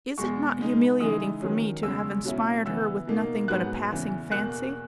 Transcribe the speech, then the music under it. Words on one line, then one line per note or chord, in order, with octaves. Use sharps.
Is it not humiliating for me to have inspired her with nothing but a passing fancy?
E2 B2 G#3 C#6
C#3 G#3 D#4
C#3 E3 G#3 D#4 D#6
D#3 F#3 C#4
E2 C#3 G#3 E6
B2 F#3 C#4 E4
C#3 E3 B3 E6
B2 A#3 D#4
G#2 F#3 B3 F#6
E2 C#3 E3
E2 B2 A#3 F#6